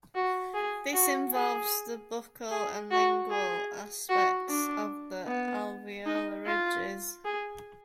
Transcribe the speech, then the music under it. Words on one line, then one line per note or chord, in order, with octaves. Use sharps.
This involves the buccal and lingual aspects of the alveolar ridges.
F#4
G#4
F#4
G#4
G#4
F#4
G#4
F#4
D4
B3
D#4
F4
G#4